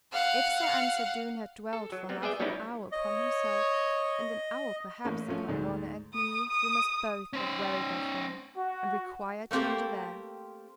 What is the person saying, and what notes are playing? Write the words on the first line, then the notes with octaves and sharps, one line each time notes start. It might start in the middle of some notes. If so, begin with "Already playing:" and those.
If Sir Ensor Doone had dwelled for half an hour upon himself, and an hour perhaps upon Lorna and me, we must both have wearied of him, and required change of air.
F5 F#5
A4
F#3
G3 B3 C4
B3 G#4 D5 E5 G5
F#3 G3 B3 C#4 D#4 E4
C#5 D#5
A1 A2 A#3 C#4
F3 A3 C#4
D2 G#2
D#6
D#6
C#4 C5
F#4
A3 A#3 C4 G4 A4